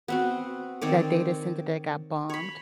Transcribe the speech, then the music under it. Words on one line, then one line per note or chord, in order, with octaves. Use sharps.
That data center that got bombed,
B3 C4 F#4
D#3 C4 C#5 D5
C#5 B5